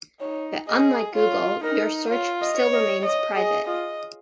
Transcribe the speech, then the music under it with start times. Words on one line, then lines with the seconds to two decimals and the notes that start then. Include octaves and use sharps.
But unlike Google, your search still remains private.
0.21 D#4 C#5
0.68 G#4 D#5
1.15 F4 C#5
1.64 D#4 A#4
2.10 F4 C#5
2.42 D#5
2.57 C#5
2.73 D#5
3.04 C#5 D#5
3.36 G#4 D#5
3.67 F4 D#5